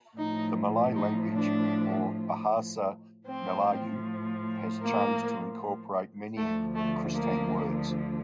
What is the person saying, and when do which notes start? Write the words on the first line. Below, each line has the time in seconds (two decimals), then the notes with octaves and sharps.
The Malay language, or "Bahasa Melayu", has changed to incorporate many Kristang words.
0.17 A2 F3 D#4
0.95 D#4
1.34 D4
3.27 A2 F3 C4
4.82 A#3
6.37 D2 D3 F3 A3
6.75 A3
7.13 A#3